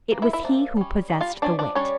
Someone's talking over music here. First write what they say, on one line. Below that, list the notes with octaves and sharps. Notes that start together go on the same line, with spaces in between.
It was he who possessed the wit.
E3 A#3
E4 E5
E4 E5
F3 A#3 D4
G3 C#4
G3 D4
F4 F5
F3 C#4 D4 D5
D4 D5
G3 C#4 D4 C#5